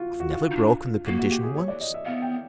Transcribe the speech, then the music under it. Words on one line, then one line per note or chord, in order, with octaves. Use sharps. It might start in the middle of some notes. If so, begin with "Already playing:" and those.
I have never broken the condition once.
Already playing: F4 F#4
F#4
F4
D#4
D4
A#3 F#4
F#4
G4
G#4
C#5
D5
D#5
E5
B3 F5
G5